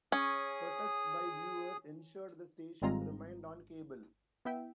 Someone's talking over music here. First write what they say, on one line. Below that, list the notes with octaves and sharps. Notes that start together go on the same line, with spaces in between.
Protests by viewers ensured the station remained on cable.
C#4 G#4 D#6
G#1 G3 G#3 C4 F4 A#5
B3 E4 E5 G5